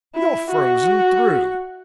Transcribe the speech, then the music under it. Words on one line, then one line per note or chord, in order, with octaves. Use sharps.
You're frozen through!
E4
F#4